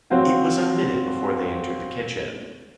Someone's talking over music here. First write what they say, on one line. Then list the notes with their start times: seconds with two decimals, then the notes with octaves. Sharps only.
It was a minute before they entered the kitchen.
0.10 F#3 C4 C5 F5 F#5